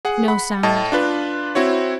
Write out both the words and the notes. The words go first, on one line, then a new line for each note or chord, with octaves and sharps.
No sound.
G#4 F#5
F#5 B5
A2 D#5 A5
D4 F4 B4
C4 E4 F#4 C#5